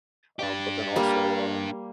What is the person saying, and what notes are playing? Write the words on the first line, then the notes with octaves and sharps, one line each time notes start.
um, but then also, um,
D4 G4
G3 A#3